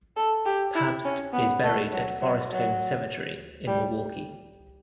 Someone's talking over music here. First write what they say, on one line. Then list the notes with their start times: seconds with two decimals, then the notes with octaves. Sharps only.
Pabst is buried at Forest Home Cemetery in Milwaukee.
0.16 A4
0.46 G4
0.75 E4
1.04 C#4
1.33 B3
1.63 A3
1.92 F#3
2.21 F#3
2.50 F#3
3.67 G3